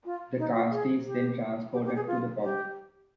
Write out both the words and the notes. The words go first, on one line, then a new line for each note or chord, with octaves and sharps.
The cask is then transported to the pub.
F4
D#4
F4
G#4
G4
G4
G4
G#4
F4
G4